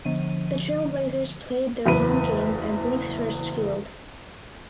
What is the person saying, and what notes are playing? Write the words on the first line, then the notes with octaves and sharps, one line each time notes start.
The Trailblazers played their home games at Bruce Hurst Field.
D3 F3 D#7
F#1 E2 B4 D#7